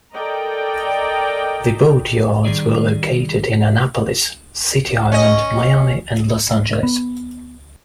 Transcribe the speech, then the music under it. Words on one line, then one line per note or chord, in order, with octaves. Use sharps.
The boatyards were located in Annapolis, City Island, Miami, and Los Angeles.
A4 A#4 D5 D#5 G5 A#5
D#3 G3 D#4 G#4 D5
C#4 D#5
B3